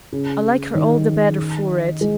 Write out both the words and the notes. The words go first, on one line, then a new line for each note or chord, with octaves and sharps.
I like her all the better for it.
C#3
D#3
G#3